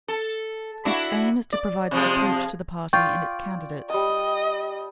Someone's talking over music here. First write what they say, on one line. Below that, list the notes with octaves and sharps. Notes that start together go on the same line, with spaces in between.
Its aim is to provide support to the party and its candidates.
A4
D4 E4 F#4
D5
C3 F3 G#3
F4 D5 G5 C#6 G6
G3 D#5 A5